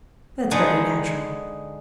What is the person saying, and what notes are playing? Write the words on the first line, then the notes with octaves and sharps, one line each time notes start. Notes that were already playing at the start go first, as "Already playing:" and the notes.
That's very natural.
D3 G#3 D#4 G#4 B4